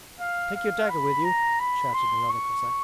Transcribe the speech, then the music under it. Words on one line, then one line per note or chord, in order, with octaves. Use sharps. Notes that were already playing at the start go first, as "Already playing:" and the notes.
Take your dagger with you!' shouted another Cossack.
F5
F5
B5
A#5
B5
C6
C#6